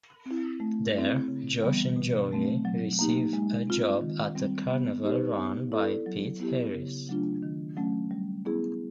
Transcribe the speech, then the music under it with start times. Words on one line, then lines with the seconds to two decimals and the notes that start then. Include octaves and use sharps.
There, Josh and Joey receive a job at a carnival run by Pete Harris.
0.26 C4 E4
0.60 A3
0.94 C4 E4 G#4
1.28 C#3
1.62 E3 G3 B3
1.96 B2
2.31 F#3 A3 C4
2.65 F#3
2.99 A#3 D#4 G4
3.33 G#3
3.67 C4 F4
4.01 D#3
4.35 G3 C4
4.70 B3
5.04 D#4 G4 C5
5.38 B3
5.72 E4 A4 D5
6.06 F#3
6.40 B3 E4 G4
6.75 C#3
7.09 F#3 A3 D4 F4
7.43 D#3
7.77 F#3 A3 C#4
8.11 G3
8.45 B3 E4 G#4